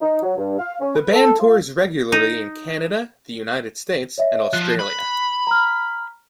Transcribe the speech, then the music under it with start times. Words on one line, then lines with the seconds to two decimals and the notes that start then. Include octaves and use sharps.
The band tours regularly in Canada, the United States and Australia.
0.01 D#4
0.23 F#3
0.37 G2
0.59 F5
0.81 C#4
0.95 B4
1.13 A4
1.40 F4
2.12 D#4
4.18 C#5 D#5 E5
4.53 F3 F#6
4.79 B5
5.47 A#5 F6